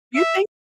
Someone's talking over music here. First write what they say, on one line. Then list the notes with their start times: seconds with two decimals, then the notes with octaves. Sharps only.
Do you think
0.16 E5